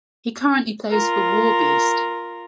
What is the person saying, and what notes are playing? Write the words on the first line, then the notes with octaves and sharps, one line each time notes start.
He currently plays for Warbeast.
F4 A#4